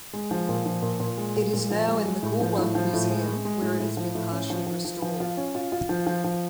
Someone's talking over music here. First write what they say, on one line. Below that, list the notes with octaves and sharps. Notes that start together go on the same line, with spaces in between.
It is now in the Goolwa Museum, where it has been partially restored.
G#3
F3
A#2
F3
A#2
A#2
G#3
A#2
A#2
F3
G#3
G#3
A2
F3
A2
F3
A2
G#3
G#3
G#3
A2
A2
F3
A2
C#4
F3
F3
F3
F3
F4
C#4
F4
F4
F3
F3
F3